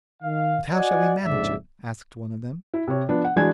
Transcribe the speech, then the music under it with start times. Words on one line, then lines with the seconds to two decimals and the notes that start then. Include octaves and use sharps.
'But how shall we manage it,' asked one of them.
0.23 D#3 F5
0.72 F#4 D5 D#5 F#5 G#5
1.25 A#1 F2 G#2 C#3 D5 E5
2.74 E4
2.87 C3 C#5
3.09 F3 B3 D4
3.24 F#5
3.36 E3 G#3 D4 F#4 G#6